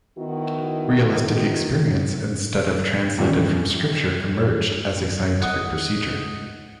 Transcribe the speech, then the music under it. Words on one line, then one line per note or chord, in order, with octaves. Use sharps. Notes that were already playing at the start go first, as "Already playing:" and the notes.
Realistic experience, instead of translated from scripture, emerged as a scientific procedure.
D#3 B3 E4 F#4
E2 G2 A#2 D#3 C#4
D#5 F#5